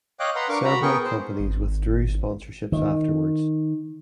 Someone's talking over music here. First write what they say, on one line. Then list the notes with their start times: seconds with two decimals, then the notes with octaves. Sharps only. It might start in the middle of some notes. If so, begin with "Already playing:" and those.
Several companies withdrew sponsorships afterwards.
0.20 C#5 D#5 F5 G5 D6 F#6
0.36 B4 F#5 A#5 C6
0.49 D4 A#4 F5 C#6 D6
0.65 F#4 A#5 B5
0.82 B3 G#4 A#4 G5 C#6
1.05 C5
1.40 G#1
2.72 D#3